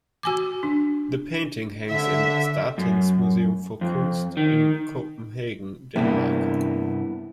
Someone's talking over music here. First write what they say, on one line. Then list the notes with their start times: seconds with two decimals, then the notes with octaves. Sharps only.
The painting hangs in Statens Museum for Kunst in Copenhagen, Denmark.
0.23 F#4 G#5 D6
0.63 D4
1.90 D3 E5
2.78 F#2
3.81 F2
4.37 D#3
5.96 G2 C3 A#3 B3 E4